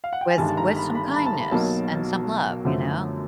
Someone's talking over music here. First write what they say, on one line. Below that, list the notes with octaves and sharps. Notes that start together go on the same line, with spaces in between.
with with some kindness and some love, you know?
F5
F#5
G5
G#5
G1 G2 D#3 G#3 A5
A5
A#5
B5
B5
B5
A5
A#5
B1 B2 F#3 A#3 D#4 A5
F#2 D3 F3 A3